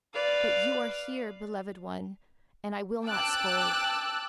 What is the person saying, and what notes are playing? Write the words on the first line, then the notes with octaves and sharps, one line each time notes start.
But you are here, beloved one, and I will not scold.
B4 D5 F5
G5 A5 D6 E6 F#6